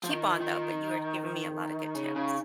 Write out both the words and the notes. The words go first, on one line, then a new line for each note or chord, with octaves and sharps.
keep on, though, but you were giving me a lotta good tips.
F3
D#3 F4
D#4
F4
D#3
D#4
D#4
C#3
C#3